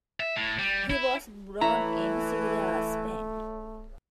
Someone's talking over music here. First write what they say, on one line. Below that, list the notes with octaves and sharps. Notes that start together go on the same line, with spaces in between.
He was born in Seville, Spain.
E5
A2
G3
E4
E3 A3 E4 C#5 A#5